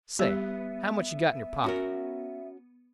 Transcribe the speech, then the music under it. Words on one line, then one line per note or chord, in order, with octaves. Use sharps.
Say, how much you got in your pocket?
G3 B3 G4 E5
C#4 F#4 A#4